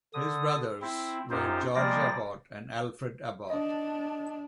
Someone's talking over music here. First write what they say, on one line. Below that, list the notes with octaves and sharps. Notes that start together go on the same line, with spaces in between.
His brothers were George Abbott and Alfred Abbott.
D3 D#6
C4 E4
F#2 D#4 F4 G4 C5
F3 G3 G#3 A#3 D5 A#6
D4 D#5